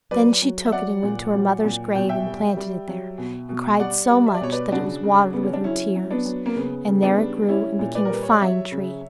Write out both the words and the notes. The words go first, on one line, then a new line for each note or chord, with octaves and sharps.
Then she took it and went to her mother's grave and planted it there, and cried so much that it was watered with her tears; and there it grew and became a fine tree.
F#3 B4 D5
F#3
E5
F#3 D5 F#5
A#2
F#3
A#2
B2 G5
E5 G5
G3
G3
F#3
B2
B2
G3 D5 F#5
G3
E5
D5
B2 C#5
B4 D5
C#3 D4 F#4
C#3
C#3 B3
C#4
D4
F#3 C#4 E4
F#3
B3 D4
F#3
A#3
C#3 B3
C#3
B3 D4
G3
G3 C#4 E4
A#2
B4 D5
A#4
G3 B4
C#5
D5
F#3 C#5 E5
C#3